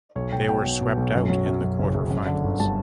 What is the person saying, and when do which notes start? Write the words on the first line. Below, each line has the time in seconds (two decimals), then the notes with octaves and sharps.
They were swept out in the quarterfinals.
0.15 B1 C#5
0.32 B1 G5
0.49 B2 G5
0.65 B1
0.81 B2
0.97 B1
1.14 F#2
1.30 F#3
1.46 F#2
1.62 F#2
1.79 F#1
1.94 F#1
2.11 F#2
2.26 D3
2.44 G1
2.60 G3 A5